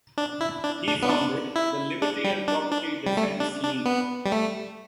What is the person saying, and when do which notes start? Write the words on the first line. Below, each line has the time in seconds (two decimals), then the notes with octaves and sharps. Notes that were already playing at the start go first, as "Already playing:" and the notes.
He founded the Liberty and Property Defence League.
0.18 D4
0.41 E4
0.64 D4
0.87 D4
1.03 B3
1.10 D4
1.56 E4
2.02 D4
2.24 G3
2.48 D4
2.71 D4
3.06 G3
3.17 A3
3.40 D4
3.63 D4
3.86 B3
4.26 G3
4.32 A3